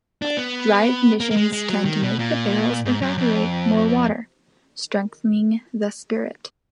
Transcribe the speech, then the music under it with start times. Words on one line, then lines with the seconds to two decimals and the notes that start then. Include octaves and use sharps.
Drier conditions tend to make the barrels evaporate more water, strengthening the spirit.
0.22 D4
0.37 B3
1.20 A#3
1.31 A#3
1.37 G#3
1.53 G#3
1.69 F#3
1.85 D#3
2.02 B2
2.19 A#2
2.85 G#2
3.02 F#2
3.18 F2